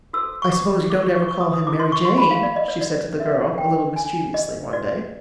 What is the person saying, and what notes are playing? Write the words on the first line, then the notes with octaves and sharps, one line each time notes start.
"I suppose you don't ever call him 'Mary Jane,'" she said to the girl, a little mischievously, one day.
F#4 A4 C5 E6
C#6
D6
D6
C#6
C#6
C#6
D#6
D#6
C#4 E4 A4 C5 D6
C6
C#6
C6
B5
F5
D5
D#5
C#5
D5
F#4 A#4 C#5 E5
G5
G#5
D#5
F#4 B4 D5